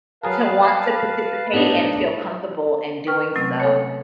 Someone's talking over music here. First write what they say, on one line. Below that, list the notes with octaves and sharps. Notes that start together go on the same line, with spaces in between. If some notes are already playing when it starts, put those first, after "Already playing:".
To want to participate and feel comfortable in doing so.
F#3 G#4 A#4 B4 F5 A5
A2 B3 D4 D#4
B4 G5 C#6 F6
C3 F#3 A3 C4 C#4
A4 C#5